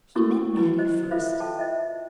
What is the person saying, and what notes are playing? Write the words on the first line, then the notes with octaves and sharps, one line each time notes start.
He met Mattie first.
C#4 E4 F#4 A4 A#4 C#6
E4 F#4 B4
C5 D#5
F4 A4 B4 C5 E5 F5
A4 G5 A5
C5 D#5 E5